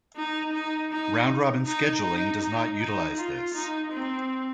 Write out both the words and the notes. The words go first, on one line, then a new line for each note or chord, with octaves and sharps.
Round-robin scheduling does not utilize this.
D#4
D#4
D#4
D#4
D#4
D#4
D#4
F4
D#4
C4